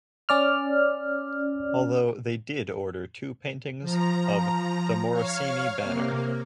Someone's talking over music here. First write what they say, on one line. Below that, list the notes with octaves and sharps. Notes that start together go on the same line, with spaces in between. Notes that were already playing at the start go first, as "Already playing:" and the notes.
Although they did order two paintings of "The Morosini Banner".
C#4 D5 F6
F3 A#5
C#5 F5 F6
C3 A#3